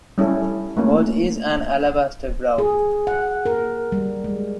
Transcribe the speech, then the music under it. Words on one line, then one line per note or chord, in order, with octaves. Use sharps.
What is an alabaster brow?
G3 C#4 E4 A4
A3 A#3 C#4 F4
G#4
F#5
A#4
G3
G#3